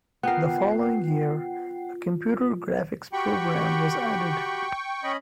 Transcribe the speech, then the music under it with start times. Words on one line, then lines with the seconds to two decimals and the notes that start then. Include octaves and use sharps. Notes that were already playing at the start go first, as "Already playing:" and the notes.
The following year, a Computer Graphics program was added.
0.23 B3 F4 A#4 F#5 G5 C7
3.13 F#4 G4 G5 B5 C#6
5.03 C#4 D#5 B5